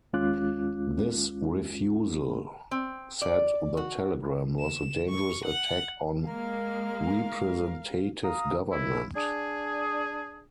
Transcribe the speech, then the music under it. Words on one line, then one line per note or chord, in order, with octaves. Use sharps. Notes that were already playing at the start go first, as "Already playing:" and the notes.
This refusal, said the telegram, was a dangerous attack on representative government.
D#2 G#3 C#4 F4 D6 F#6
C4
D5
F#4
E7
C#6
F#5
G#3 A#3 A#4 F5 F6
F5 A#5 D#6
D#2 E4
D4 G#4